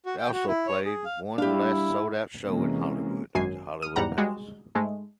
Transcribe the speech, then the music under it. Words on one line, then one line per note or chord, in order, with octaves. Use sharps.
They also played one last sold out show in Hollywood at the Hollywood Palace.
F#4
G5
F#4
E4
C#5
G#4
F5
G3 D4 E4 G4 F5
C3 E3 G#3 A#3 C#4
G#1 F#2 G#5 C7
D#6 F6 D#7
E2 G#2 G3 F#5 A#5
G3 G#3 F#4
G#2 G#3 A3